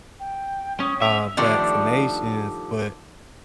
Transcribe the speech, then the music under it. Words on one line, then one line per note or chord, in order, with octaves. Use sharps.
uh, vaccinations, but
G5
C#4 D#6
E5 F7
D3 D#3 F3 G3 A3 D4